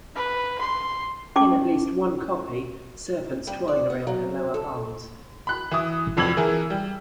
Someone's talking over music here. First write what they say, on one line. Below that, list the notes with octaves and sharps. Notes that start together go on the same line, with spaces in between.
In at least one copy, serpents twine around her lower arms.
B4
C6
C#4 G4 A5 D6
G3
D5
B3
F#3
A4
B5 F#6
E3 E4 D#6
F1 F2 E6 G#6 F#7
E3 G#4 A#4
G3